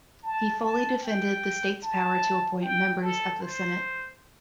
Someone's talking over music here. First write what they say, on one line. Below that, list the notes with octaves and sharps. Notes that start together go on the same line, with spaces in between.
He fully defended the state's' power to appoint members of the senate.
A5
A5
G5
A5
G5
A4
C5